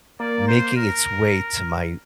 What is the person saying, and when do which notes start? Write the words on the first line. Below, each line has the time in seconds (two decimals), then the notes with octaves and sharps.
making its way to my
0.20 A#3 D5
0.48 C5
0.77 A#4